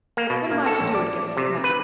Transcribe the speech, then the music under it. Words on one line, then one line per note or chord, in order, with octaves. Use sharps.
What am I to do at Guestwick Manor?
A#3
B2
A#3
A4
A1
D5
C3
B4